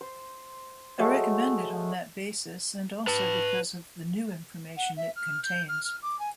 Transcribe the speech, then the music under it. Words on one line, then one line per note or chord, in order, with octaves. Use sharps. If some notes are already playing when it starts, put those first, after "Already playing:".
I recommend it on that basis--and also because of the new information it contains.
C5
F#3 G#3 A3 E5
B4 A5
F#5
E5
F6
G6
F6
F6
D6
G#5